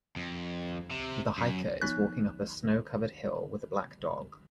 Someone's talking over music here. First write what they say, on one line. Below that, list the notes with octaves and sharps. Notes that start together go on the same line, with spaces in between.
The hiker is walking up a snow covered hill with a black dog.
F2
C3
F#2
F3 B3 D#4 F#6